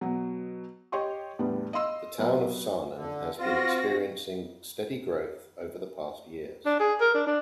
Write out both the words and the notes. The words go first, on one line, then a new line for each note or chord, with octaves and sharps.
The town of Sarnen has been experiencing steady growth over the past years.
B2 F#3
G4 C#5 D#5 G5 C6 C#6
E2 A2 G3 B3 D4
D#5 F5 C6 E6
F#3 B3
D3
C4 F4 F#4 A#6
D4
G#4
A#4
D4
D4